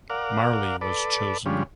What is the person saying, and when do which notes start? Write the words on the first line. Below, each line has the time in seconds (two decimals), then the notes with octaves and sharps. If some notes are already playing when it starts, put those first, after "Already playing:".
Marly was chosen.
0.10 A#4 D5 F5 F#5
0.81 A4 B4 D5
1.46 D3 F3 G3 G#3 C#4